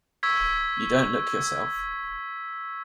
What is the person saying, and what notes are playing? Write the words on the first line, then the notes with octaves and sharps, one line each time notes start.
You don't look yourself.
C#6 E6 G#6 B6